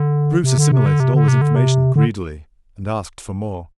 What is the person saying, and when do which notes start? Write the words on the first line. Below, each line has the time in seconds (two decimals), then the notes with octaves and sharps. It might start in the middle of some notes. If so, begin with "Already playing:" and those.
Bruce assimilated all this information greedily--and asked for more.
Already playing: D3
0.44 C3
0.58 D3
0.71 C3
0.86 D3
1.00 C3
1.14 D3
1.28 C3
1.41 D3
1.56 C3
1.96 D3